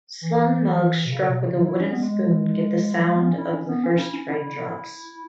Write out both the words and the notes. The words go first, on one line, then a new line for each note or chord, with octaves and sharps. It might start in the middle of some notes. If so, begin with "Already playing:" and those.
Slung mugs struck with a wooden spoon give the sound of the first raindrops.
E3
B2
C#3
B2
C#3
F#3
E4
C#4
B3
G#3
F#3
G#3
B3
C#4
E4
C#4
B3
C#4
E4
C#4
E4